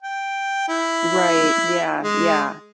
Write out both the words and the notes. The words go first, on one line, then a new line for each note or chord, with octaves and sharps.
Right. Yeah. Yeah.
G5
E4
G#3